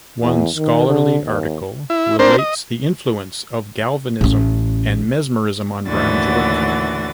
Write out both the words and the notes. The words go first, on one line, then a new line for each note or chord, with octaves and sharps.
One scholarly article relates the influence of Galvanism and Mesmerism on Brown's work.
E2
D#3
D3
D#2
E4
C4 D4 A#4 C5
D#5
A1 C#4
D#2 A2 D3 E3 F#4 A6